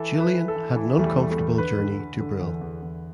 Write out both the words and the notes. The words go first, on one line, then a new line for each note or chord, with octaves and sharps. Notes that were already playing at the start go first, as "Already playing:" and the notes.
Julian had an uncomfortable journey to Brill.
Already playing: E3 A4
E3
B4
E3
A4
E3
E3 E4
E2 A3
G3
E2
A3
E2
D3 B4
D3
D3
D3
E2
E2
E2